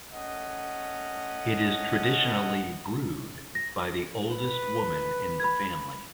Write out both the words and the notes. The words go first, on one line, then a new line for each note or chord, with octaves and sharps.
It is traditionally brewed by the "oldest woman in the family".
A3 C#4 D#5 F#5
A#6
B4
B5 G#6